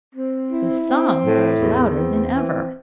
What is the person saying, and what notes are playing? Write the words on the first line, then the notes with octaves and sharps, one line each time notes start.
The song grows louder than ever.
C4
E4
C4
A2
E2
C4
E3